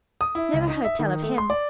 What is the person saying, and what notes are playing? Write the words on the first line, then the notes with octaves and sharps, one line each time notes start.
"Never heard tell of him!"
D#6
E4
C#2
D#4
E5
D#3
A3
C6
D5